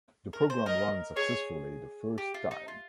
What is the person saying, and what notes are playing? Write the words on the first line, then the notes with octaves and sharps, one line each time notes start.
The program ran successfully the first time.
A#4
C5
A#4 D#5
G#4 C#5
G4
F4
D#4
F4